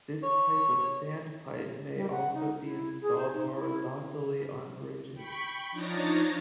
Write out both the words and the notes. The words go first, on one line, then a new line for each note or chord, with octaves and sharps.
This type of standpipe may also be installed horizontally on bridges.
C#5
G3
F#5
D#4
E4
G#4
C5
D#4
E4
G5 B5 C#6
F3 D4 D#4 C#5 A6 A#6